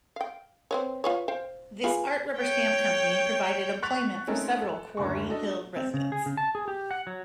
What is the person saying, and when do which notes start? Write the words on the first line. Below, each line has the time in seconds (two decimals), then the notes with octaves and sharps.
This art rubber stamp company provided employment for several Quarry Hill residents.
0.16 F5 G5
0.71 C4 B4 C#5
1.04 F4 B4 C#5
1.28 C5 F5 G5
1.84 F4 G#4 B4
2.38 C#5 G5
3.82 F#5 C#6 F#6 A6 B6 F7
4.27 A3 C4 C#4 D#4 A4 A#4
4.61 A4
4.97 F#1 D2 C#6
5.28 D4 F#4 A4 D#5
5.76 C4
5.94 C#3
6.12 G#4
6.26 C#3
6.37 A5
6.55 G#4
6.68 G4
6.91 F#5
7.07 F#3